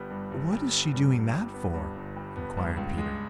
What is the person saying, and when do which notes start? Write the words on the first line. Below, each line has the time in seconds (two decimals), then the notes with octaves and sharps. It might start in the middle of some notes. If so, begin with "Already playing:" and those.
"What is she doing that for?" inquired Peter.
Already playing: G1 G3 B3
0.10 G2
0.31 G1
0.52 G3
0.72 B3
0.93 G2
1.13 G1
1.33 G3
1.54 B3
1.74 G2
1.96 G1
2.16 G3
2.36 B3
2.57 G2
2.77 C#2
2.98 G#3